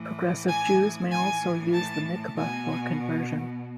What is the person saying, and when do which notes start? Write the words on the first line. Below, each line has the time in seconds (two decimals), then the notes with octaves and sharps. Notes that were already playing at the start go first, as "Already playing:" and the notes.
Progressive Jews may also use the mikveh for conversion.
Already playing: A2 E3
0.47 G#5
1.10 A2 E3 G#5
1.73 A5
2.36 B2 G#5